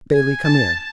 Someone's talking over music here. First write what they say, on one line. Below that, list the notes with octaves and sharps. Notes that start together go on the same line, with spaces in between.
Bailey, come here.
G#5
A5